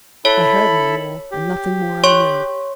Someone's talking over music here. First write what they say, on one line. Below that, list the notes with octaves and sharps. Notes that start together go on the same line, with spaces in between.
I heard no more, and nothing more I know.
E4 A4 C#5 B5
G4
C#5 C6 C#6